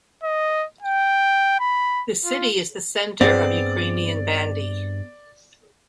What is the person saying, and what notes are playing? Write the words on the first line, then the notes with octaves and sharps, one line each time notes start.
The city is the centre of Ukrainian bandy.
D#5
G5
B5
F4
G2 B3 C4 G#4 D5